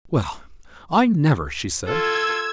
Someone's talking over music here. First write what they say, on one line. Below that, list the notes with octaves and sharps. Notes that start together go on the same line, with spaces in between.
"Well, I never," she said.
F4 A4 E6 G#6